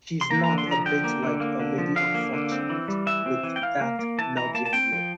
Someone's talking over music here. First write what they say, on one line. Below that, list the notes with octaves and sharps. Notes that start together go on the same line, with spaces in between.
She's not a bit like a lady of fortunes, with that nudging look.
C6
A#3 A#5
A#5
D3
C6
F3 A#5
D3 G5
A#3
D3
A#3
D3
F3
D3 F5
A#3
D3
C4
E3
G3
E3 E5
C4
E3
G5
E3 F5
A#3
A#3
E3 A5
E3 A#5
A#3 A5
A5
C4 G5
F3